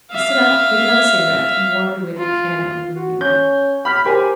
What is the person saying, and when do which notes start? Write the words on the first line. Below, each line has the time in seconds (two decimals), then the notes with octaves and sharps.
He stood up, lit another cigarette, and wandered away to the piano in the room beyond.
0.12 E5 F5
2.18 F4
2.96 F#4
3.21 C#4 G6
3.85 B5 F6 B6
4.05 G4 A#4 C5 G#5